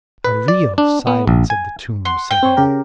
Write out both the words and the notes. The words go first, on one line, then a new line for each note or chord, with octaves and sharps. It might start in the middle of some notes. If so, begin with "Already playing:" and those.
A real silence of the tomb set in.
B4
D5
D4
B3
A#1
G#5
F#5 C6
G5
C4 C5 C#5
C#3 G4 A#4